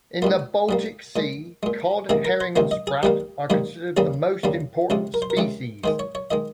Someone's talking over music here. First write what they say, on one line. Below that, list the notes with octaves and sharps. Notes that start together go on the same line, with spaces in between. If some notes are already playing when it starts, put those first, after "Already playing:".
In the Baltic Sea, cod, herring, and sprat are considered the most important species.
G#2 G3 A#3 F4
G#2 G3 A#3
A#2 G#3
A#2 G#3
C#2 C3 D#3 A#3 G#4
A#4
C5
C#2 C3 D#3 A#3 C5
D#5
G#4
G#2 D#3 G3 A#3 G4
G#2 D#3 G3 A#3
D#2 C#3 G3 A#3 G#4
D#2 C#3 G3 A#3
C#2 C3 F3 G#3 G4
A#4
C5
A#4
C#2 C3 F3 G#3
G#2 D#3 G#3 C5
C#5
C#5
D#3 G#3 D#5